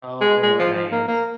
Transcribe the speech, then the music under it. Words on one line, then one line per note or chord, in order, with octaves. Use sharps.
Oh, nice.
G#3
G#3
F3
F3
A#3
A#3